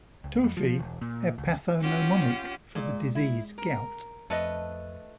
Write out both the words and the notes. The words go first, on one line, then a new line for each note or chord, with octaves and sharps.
Tophi are pathognomonic for the disease gout.
C#2
F2
F3
E1
A#2
C#2
C#4 F4 G4 F#5
A#2 G#3
E4
A#4
F2 A3 B4 D#5